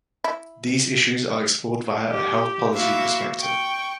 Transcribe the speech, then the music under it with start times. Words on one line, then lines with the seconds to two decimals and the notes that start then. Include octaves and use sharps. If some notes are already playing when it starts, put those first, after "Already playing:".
These issues are explored via a health policy perspective.
0.24 E4
2.10 G4
2.73 A#3 E4 F#4 E5 F5
3.38 G5 C#6